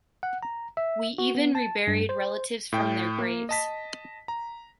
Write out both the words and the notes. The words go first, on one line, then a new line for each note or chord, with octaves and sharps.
We even reburied relatives from their graves.
F#5
A#5
E5
F#4
B3
A5
G2
C5
A2 G5
A#3
D#5 A5 B6
A#5